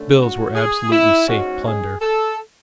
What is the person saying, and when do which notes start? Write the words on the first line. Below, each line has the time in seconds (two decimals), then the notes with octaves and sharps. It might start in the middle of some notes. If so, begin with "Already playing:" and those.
Bills were absolutely safe plunder.
Already playing: D3 A3 C#4
0.18 F#4
0.55 G#4
0.91 E4
1.27 G#2 G#3 C#4 F#4
1.64 G#4
2.00 A4